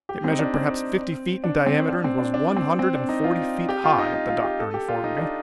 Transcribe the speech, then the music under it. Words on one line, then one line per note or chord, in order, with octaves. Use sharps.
It measured perhaps fifty feet in diameter and was one hundred and forty feet high, the Doctor informed me.
G4
C4
D#4
D4
C4
D4
C4
D4
C4
D4
D4
C4
C4
D4
D#4
F4
G4
F4
D#4
D#4
F4
G4
A4
G4
F4
D#4
D4